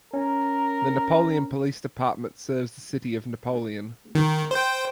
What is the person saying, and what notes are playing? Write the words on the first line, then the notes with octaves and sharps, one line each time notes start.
The Napoleon Police Department serves the City of Napoleon.
C#4 A#4
D#3
C5 G5